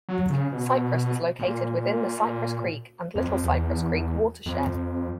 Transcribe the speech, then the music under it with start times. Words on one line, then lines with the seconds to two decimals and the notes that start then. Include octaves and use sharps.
Cypress is located within the Cypress Creek and Little Cypress Creek watershed.
0.09 F#3
0.30 C#3
0.52 B2
1.39 A#2
3.15 F2
3.29 F2
3.43 E2
4.46 F2